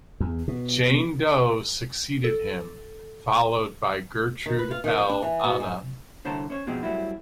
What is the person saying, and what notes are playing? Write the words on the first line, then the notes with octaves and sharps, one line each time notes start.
Janet Doe succeeded him, followed by Gertrude L. Annan.
E2
B2
A4
D#3
B4
F4
D#3
F3
D4
E3
B2
G#2
C2 D3 C5 C#5 A5 A#5
C#4 C5 C#5
B2 F3 G#3 C4 D#4 G4
F#3 G3 A3 C4 E4